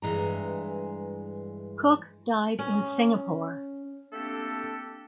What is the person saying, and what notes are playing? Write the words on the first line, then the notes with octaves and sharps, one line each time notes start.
Cooke died in Singapore.
G2 E3 G#3 A#5
C#4
A3 A#3 C4 D4 G4 A4